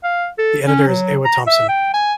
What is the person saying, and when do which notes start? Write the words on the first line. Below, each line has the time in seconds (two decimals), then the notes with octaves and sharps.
The editor is Ewa Thompson.
0.04 F5
0.39 A4
0.67 C#4
0.88 F#3
1.25 A#5
1.47 E5
1.69 G5
1.94 G#5